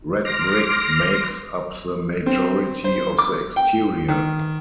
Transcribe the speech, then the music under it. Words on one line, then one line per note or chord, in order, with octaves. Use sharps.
Red brick makes up the majority of the exterior.
C6 D6 F6 A#6
C4
C5
D6
G5
D#3